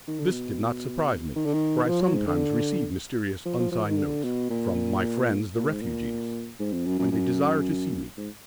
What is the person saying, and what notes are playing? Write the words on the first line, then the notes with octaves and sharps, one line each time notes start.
This did not surprise me, for I sometimes received mysterious unsigned notes from my friends the refugees when they desired to see me.
D#3
D3
B2
D#3
D3
D#3
D#3
F3
F#3
G#2
D3
F3
F3
F3
D#3
D3
B2
A#2
A#2
G#2
A#2
G#2
F2
F#2
F#2
F#2
G#2